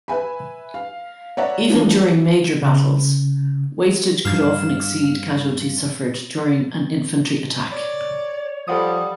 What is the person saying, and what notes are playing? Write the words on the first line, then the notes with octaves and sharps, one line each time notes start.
Even during major battles, wastage could often exceed casualties suffered during an infantry attack.
B4 E5 G#5 B5
F5
C#5 D5 E5 F#5 A#5
E3 F3 A#3 C4 D4
C#3
G2 F5 E7
C#5 D5
F3 G3 A4 F#5 D#6